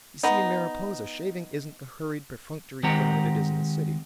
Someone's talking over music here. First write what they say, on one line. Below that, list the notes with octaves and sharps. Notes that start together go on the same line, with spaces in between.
You see, in Mariposa, shaving isn't the hurried, perfunctory thing that it is in the city.
B3 D#4
D#3 G#3 C4 G4 F#5 A#5